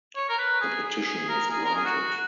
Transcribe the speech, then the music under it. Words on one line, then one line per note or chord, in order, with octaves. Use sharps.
The petition was granted.
C#5
A#4
B4
G#4
G#4
G#4
A#4
G#4
A#4
G#4
F#4